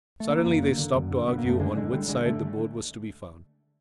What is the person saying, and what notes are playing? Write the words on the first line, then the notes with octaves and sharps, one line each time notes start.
Suddenly they stopped to argue on which side the boat was to be found.
A3
D3 A#3
F#2
D3
D3
F#2
D3
D3 B3
A#3
F#2
A3
D3 G#3
D3 G#3
D3 G3
D3 G#3
D3 A3